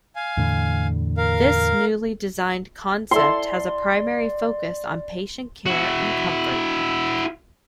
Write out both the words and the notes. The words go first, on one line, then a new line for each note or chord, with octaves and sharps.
This newly designed concept has a primary focus on patient care and comfort.
F5 G#5
E2 A2 D3
A#4 F5
E4 A4 D5 C6
E4 F#4